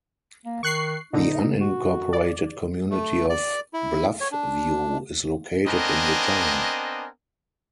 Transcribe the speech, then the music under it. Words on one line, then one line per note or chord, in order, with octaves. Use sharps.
The unincorporated community of Bluffview is located in the town.
A#3
D#3 C#6 F#6 C7
A#2 D3 D#4
F#4
D5
A3
D5
E4
C#5
D4
B3 C4 D4 A#4 D#5 G#5